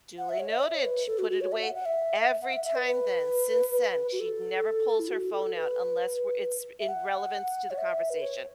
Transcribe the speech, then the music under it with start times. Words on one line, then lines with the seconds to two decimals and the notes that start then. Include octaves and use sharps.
"Duly noted." She put it away. Every time then, since then, she never pulls her phone out unless we're it's in relevance to the conversation,
0.18 F#5
0.29 E5
0.40 C#5
0.50 E5
0.58 C#5
0.63 E5
0.75 C#5
0.85 B4
1.07 A4
1.19 F#4
1.30 F#4
1.41 C#5
1.52 E5
1.63 F#5
1.75 F#5
1.85 E5
2.42 F#5
2.53 E5
2.64 E5
2.75 B4
2.86 B4
4.12 F#4
4.21 A4
4.99 E4
5.09 F#4
5.31 A4
5.55 B4
6.80 E5
6.88 F#5
7.71 C#5
7.78 E5
8.10 B4
8.22 C#5